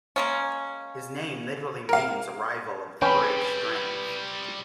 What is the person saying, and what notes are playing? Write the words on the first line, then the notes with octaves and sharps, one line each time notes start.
His name literally means "arrival of the great strength".
G#3 A#3 C#4
A#4 F5
G3 C4 C#4 B4 G5 B5